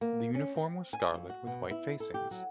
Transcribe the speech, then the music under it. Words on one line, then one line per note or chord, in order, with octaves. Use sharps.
The uniform was scarlet with white facings.
A#3
C#4
C4
G#5
F2
F#4
B2
E4
A4
G4
F#3